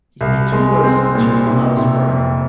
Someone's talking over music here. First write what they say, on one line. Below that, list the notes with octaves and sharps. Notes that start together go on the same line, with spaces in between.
"He said two words to the chief and I was free."
C2
G#3
C4
A#2
C3
C3
F2